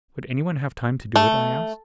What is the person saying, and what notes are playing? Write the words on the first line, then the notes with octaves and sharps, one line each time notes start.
"Would anyone have time to do it?" I asked.
A3